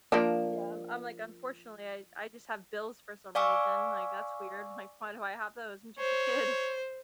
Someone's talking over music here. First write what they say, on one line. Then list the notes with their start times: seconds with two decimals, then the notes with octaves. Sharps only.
Yeah. I'm I'm like, unfortunately, I I just have bills for some reason, like, that's weird. Like, "Why do I have those? I'm just a kid."
0.12 F3 A#3 D4
3.35 D5 F5 G#5 C#6 D6 E6
5.99 C5 C#5